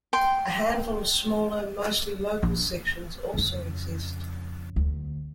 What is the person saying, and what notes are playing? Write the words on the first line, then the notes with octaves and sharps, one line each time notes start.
A handful of smaller, mostly local sections also exist.
G5 C6
A#1
F2 C#3
D2